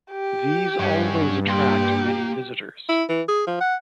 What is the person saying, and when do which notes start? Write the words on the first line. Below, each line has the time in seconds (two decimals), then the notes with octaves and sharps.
These always attract many visitors.
0.11 G4
0.79 G2 F#3 C#4
1.47 A#3 G4 C6
2.89 E4
3.09 E3
3.28 G#4
3.47 F3
3.61 F#5